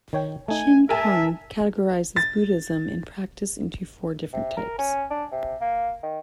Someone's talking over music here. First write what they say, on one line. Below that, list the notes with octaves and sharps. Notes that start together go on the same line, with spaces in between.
Chin Kung categorizes Buddhism in practice into four different types.
D#3 C#5 G5
A3 D#4 G#5
A#4 E5 G#5 A5
A6
C3
A#4
C#4
D4
C3
A#3
D#3